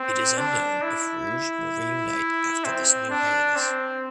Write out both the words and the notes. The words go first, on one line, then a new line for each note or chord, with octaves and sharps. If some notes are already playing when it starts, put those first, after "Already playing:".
It is unknown if Rouge will reunite after this new hiatus.
Already playing: C4
D4
E4
C4
D4
C4